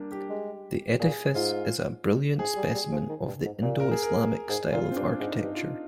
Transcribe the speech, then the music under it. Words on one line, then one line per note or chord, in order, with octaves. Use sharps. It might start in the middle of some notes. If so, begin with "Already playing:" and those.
The edifice is a brilliant specimen of the Indo-Islamic style of architecture.
Already playing: G3 A#3 D4
G4
G#3
A#2 G#4
G#2 F4
G#2 G#4
G3
G3
F3
D#3
G2
G#2
A#2
A#4
G#4
A#4
G#2 G#4
A#2 F4
C4
G2 D4
G#2 D#4
G2
F4